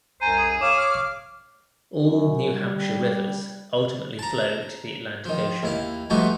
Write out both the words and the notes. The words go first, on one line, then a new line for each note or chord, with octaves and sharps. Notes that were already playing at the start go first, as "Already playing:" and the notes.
All New Hampshire rivers ultimately flow to the Atlantic Ocean.
C2 F#2 C5 G#5 A#5 D#7
G#4
C#5 F5 D6 E7
F6
F#2
G3
A5 A#5
D#3 F3
D#2 E4 F5
F3 G3 A3 B3 D#4 F#4